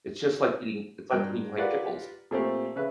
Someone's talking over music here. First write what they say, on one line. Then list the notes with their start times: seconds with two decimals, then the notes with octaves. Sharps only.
It's just like eating, it's, like, eating, like, pickles.
1.11 G2 A#4 G5 F#6
1.58 F4 G4 A#4 B4 D5 F#5
2.31 A#2 A3 C4 G4
2.76 C#3 B4 E5